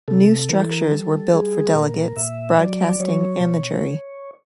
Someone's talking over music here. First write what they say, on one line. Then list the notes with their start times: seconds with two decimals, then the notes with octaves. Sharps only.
New structures were built for delegates, broadcasting and the jury.
0.08 C3 A4
0.49 E3 A#4
0.60 A4
0.70 A#4
0.91 G3 A4
1.32 G3 G#4
1.74 A#2 A#4
2.16 A#2 E5
2.57 F#3 D5
3.00 F#3 C#5
3.40 B2